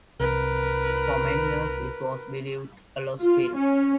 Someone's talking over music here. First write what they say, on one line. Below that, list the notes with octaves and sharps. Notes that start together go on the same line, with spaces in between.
For many years, it was believed a lost film.
C2 A#4 B4
F4
C#4